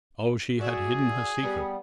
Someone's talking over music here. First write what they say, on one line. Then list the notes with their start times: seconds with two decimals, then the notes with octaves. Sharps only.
Oh, she had hidden her secret.
0.60 F#4 G#4 D5 E5
1.43 G3 B3